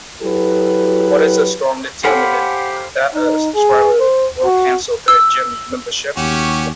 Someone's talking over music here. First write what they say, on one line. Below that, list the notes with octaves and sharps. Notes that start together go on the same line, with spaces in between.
What is a strong determinant that a subscriber will cancel their Gym membership?
F#3 E4 F#4 G4 A4 B4
G4 A4 C5 C#5 F5 F#5 G#5 B5
D#4
G#4
C5
F#4
E6
D#2 C#4 F#4 G4